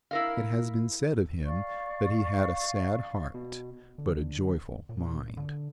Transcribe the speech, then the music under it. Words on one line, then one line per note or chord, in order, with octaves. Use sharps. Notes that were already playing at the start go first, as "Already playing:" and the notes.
It has been said of him that he had a sad heart but a joyful mind.
E4 A#4 F5
D5 F5 C#6
B2
D3
A#2
D3